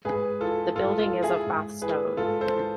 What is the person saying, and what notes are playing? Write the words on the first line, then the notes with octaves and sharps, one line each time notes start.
The building is of Bath Stone.
G#2 G#4 B4
E3 F4 A4
G#2 F4 A4
F4 A4
E3
E4 G#4
G#2
E3 G#4 B4
G#2 F4 A4
A4 C5
E3